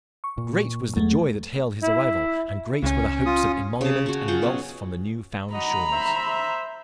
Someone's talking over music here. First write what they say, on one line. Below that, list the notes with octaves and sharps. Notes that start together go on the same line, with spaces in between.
Great was the joy that hailed his arrival, and great were the hopes of emolument and wealth from the new-found shores.
C#6
A#2
E2 F#3 G#3 A3
E4
C#2 C#4
F4 D#6
C#3 A5
C#4 F#4
F4 G#4 F#5 G5
B2 F#3 C#4
D#4 F#4 D#5 A#5 B5
C5 E5